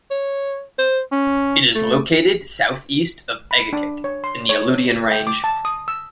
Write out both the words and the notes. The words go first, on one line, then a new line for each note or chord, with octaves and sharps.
It is located south-east of Egegik, in the Aleutian Range.
C#5
C5
C#4
A3
B5
D4
C#5
C6
C#5
G5
D6
A5
D#6
E6